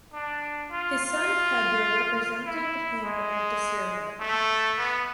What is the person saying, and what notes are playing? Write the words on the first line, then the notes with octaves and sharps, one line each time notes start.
His son Pedro represented him at the ceremony.
D4
F4
F4
E4
G#3
A3
B3